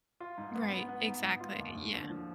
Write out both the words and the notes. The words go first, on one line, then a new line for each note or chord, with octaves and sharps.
Right, exactly, yeah.
F4
G#2
B3
B3
B3
G#2
G#2
F4
D#2
D#2
D3
F3